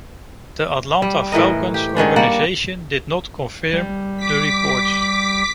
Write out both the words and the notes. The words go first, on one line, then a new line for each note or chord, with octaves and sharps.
The Atlanta Falcons organization did not confirm the reports.
G3
A2 E3 A#4 D#5
G4
G#2 D#3 C#4 D4
G3 A#3 D5 F#5
G3
D6 B6